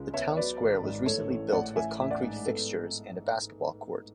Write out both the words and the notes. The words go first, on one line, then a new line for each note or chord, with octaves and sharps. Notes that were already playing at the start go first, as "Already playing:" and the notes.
The town square was recently built with concrete fixtures and a basketball court.
Already playing: C#2 G#3
B3 C#5 E5
F#3 B4 D5
G#1
G#2
A2 A4 C#5
A1
A2 D5 F#5
A1 E5 G#5
A1 E5
D5 F#5
G#2
B3 A4